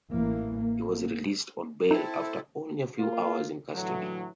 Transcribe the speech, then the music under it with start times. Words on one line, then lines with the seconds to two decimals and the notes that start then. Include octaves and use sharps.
He was released on bail after only a few hours in custody.
0.12 A1 E3 A#3
0.57 A#3
1.91 C4 D#4 E4 A4
2.98 A#3 F4
3.75 A2 D3 E3 F#3